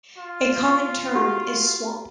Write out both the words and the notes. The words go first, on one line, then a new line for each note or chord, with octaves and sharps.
A common term is swamp.
F4
F#4 G4 F#5